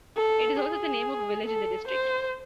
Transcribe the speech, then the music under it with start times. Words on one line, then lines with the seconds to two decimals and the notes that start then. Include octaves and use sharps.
It is also the name of a village in the district.
0.17 A4
0.60 G#4
1.45 A4
1.88 C5